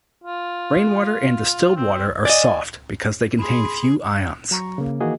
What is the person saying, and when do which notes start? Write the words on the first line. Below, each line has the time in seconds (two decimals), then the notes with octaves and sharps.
Rainwater and distilled water are soft, because they contain few ions.
0.24 F4
1.76 C4
2.25 D5 D#5 G#5
3.39 G#4 B5 C6
4.51 F#3 A#5 C#6
4.78 C#3 A#3
5.00 D#3 E3 A#3 F#4 G#4 D#5